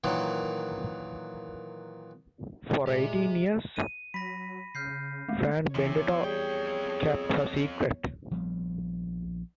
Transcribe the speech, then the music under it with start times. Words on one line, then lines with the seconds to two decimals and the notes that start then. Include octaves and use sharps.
For eighteen years, Fran Benedetto kept her secret.
0.04 A#2 D#3 E3 F#3
2.87 A#2 G#3 G4 E5
3.76 D#7
4.14 F#3 B5 A#6 B6
4.75 C#3 F6 G6 C7
5.28 D#3 G#3 A3
5.75 E2 C3 C#5 G5
6.24 F2 G3 G#4 G5
8.31 A#1 F3 G3 B3